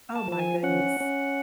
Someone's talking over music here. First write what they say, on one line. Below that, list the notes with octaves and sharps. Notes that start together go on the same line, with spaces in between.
Oh my goodness,
A5
F3 A5
G#5
C#4 F#5
C#4